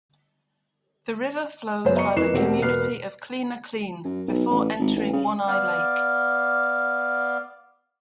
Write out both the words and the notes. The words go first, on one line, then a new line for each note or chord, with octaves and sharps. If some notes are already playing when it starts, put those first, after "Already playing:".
The river flows by the community of Kleena Kleene before entering One Eye Lake.
F#2 C#3 F#3 B3 C5
D#5 A#5 C#6 C#7
F2 A#3 E4 B4 C7 E7
E1 A3 C4 G4 A#4 F#5
E1 A#3 B4 F6 C7
F#2
B1
A1
G#1
A1
C#3
B3 D5 F5